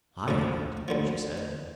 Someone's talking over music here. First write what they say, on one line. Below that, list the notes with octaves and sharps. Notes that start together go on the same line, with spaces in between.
"I haven't," she said.
D2 D3 F3
D2 D3 F3